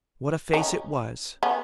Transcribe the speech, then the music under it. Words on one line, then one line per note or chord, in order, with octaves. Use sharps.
What a face it was!
C#4 D#4
B3 C#4